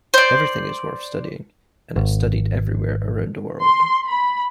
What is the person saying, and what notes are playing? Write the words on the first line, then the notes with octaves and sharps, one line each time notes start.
Everything is worth studying, and it's studied everywhere around the world.
C5 D5
G#1
C6
B5